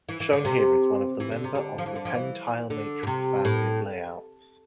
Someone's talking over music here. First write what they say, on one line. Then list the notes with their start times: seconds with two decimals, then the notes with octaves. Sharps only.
Shown here is one of the member of the PenTile matrix family of layouts.
0.09 E3
0.20 E3
0.33 D3
0.45 C3
1.20 E3
1.32 D3
1.44 C3
1.55 D3
1.78 F3
1.86 E3
1.95 D3
2.05 F3
2.14 E3
2.70 D3
3.03 B2
3.07 C3
3.45 A2